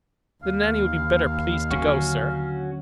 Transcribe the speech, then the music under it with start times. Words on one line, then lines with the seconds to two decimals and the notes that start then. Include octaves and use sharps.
"Then Nanny would be better pleased to go, sir."
0.43 D#2 F5
1.71 D3 F#3 C#4 F#4